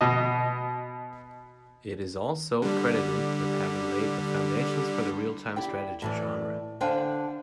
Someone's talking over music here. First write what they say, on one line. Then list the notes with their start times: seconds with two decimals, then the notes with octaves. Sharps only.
It is also credited with having laid the foundations for the real-time strategy genre.
0.01 B2 D#5
2.62 D3 G3
5.56 E4 G4 D5 G5
6.02 A2 E3 D5
6.81 D3 D4 C5 F5 G5 G#5